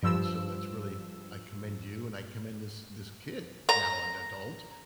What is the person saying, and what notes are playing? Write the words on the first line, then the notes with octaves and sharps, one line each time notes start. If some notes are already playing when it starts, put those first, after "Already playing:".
and and so that's really I commend you and I commend this this kid, now an adult,
G2 F3 E6
A#5